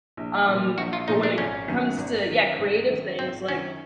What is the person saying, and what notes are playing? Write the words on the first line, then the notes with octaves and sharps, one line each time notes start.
um, but when it comes to yeah, creative things, like,
A#1
A#2 F3 A3
A#1 F#4
F4
A#2 F3 A3 D#4
D4
G#1 C#4
F#2 D#3
G#1
F#2 D#3
G#1
F#2 D#3
G#1 C4
F#2 D#3 C#4